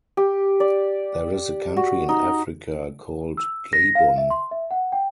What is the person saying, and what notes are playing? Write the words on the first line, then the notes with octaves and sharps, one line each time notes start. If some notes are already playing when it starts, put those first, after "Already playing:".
There is a country in Africa called Gabon.
G4
D5
F#4
D#4
E6
A#6
F5
E5
C6
E5
F#5
G5